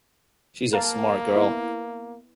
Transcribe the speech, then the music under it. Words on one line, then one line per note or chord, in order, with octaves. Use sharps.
She’s a smart girl.
A#3 A#4 F5 A5
B3 E4